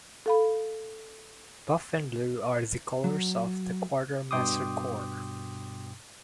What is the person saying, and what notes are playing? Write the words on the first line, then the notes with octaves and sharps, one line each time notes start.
Buff and blue are the colors of the Quartermaster Corps.
A4 F5 B5
F#3
G2 B2 G5 C6 D6 D#6